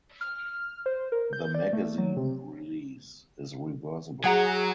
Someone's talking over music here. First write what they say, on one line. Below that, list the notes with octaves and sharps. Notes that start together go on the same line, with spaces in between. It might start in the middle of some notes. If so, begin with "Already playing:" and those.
The magazine release is reversible.
F6
C5
A#4
G6
D5
A3
F#3
C3
F#3 G#4 F#5 A#5